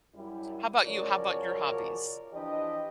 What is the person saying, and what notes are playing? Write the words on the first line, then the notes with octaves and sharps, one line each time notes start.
How 'bout you? How 'bout your hobbies?
F#2 G3 E4
F#2 C#3 F3 A#4 C#5 D5
E3 F3 D4 G4 D#5